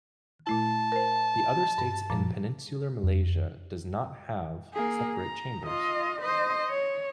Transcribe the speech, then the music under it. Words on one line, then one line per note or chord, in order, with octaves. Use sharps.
The other states in Peninsular Malaysia does not have separate chambers.
A#2 A3 E4 A5
A#4 C5
G2
F#2 A#2 F3
F2
A#3 G#4
A#5
F4 D#5
C5 D#5
C#5